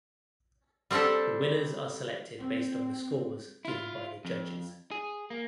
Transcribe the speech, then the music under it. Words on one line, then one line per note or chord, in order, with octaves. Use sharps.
The winners are selected based on the scores given by the judges.
G3 C4 D4 G4 A4
C4
E4 F4
F2
G#4
A#3